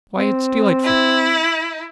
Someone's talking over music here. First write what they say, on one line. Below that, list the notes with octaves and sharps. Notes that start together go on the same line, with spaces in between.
Why, its delightful!'
C4
E4